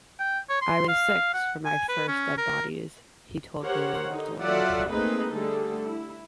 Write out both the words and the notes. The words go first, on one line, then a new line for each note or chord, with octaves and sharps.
"I was six for my first dead bodies," he told Bruno Latour.
G5
C#5
C6
F5
F#5
G#5
B4
C#4
A#4
G4 A#4 C5 C#5 F#5
D3 D#4
F#3 F4 A4 D5 E5 F#5
A3 A#3 C4 D#4 G#4 B4
D3 G3 A3 G#4 A4
E4